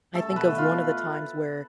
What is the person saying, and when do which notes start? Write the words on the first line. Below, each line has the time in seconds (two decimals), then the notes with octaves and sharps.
I think of one of the times where
0.14 A3 A4
0.31 B2
0.36 B4
0.47 A3
0.58 F4
0.63 B2